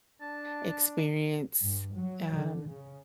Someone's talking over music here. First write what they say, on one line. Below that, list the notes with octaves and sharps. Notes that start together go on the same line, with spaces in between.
experience, um,
D4 A5
G2
F#3
D3
C#3